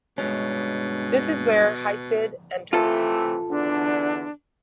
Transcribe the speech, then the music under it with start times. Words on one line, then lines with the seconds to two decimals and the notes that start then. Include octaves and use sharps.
This is where Hesiod enters.
0.18 G2 B2 G#3 C#4
2.73 C3 E3 A3 F4 A4
3.50 E2 D3 D4